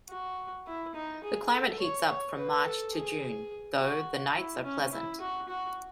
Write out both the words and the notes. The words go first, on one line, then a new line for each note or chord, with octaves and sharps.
The climate heats up from March to June, though the nights are pleasant.
F#4
E4
D#4
G#4
A4
C#5
C#5
B4
A4
G#4
F#4
E4
C#4
E4
F#4
F#4